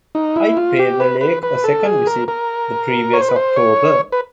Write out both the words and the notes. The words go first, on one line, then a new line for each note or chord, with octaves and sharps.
I'd paid the lake a second visit the previous October...
D#4
E4
F4
G4
B4
B4
B4
A4
G#4
A#4
A#4
C#5
C5
B4
C5
C#5
B4